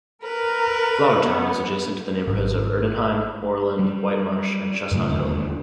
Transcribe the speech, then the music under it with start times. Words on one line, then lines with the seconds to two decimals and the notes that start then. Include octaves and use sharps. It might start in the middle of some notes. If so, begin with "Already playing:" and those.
Flourtown is adjacent to the neighborhoods of Erdenheim, Oreland, Whitemarsh, and Chestnut Hill.
0.23 A#4 B4
1.23 B3
2.27 G#1
3.79 G3
4.91 G2 C#3 F#3 A3
5.08 E1 D#2 D3 G#3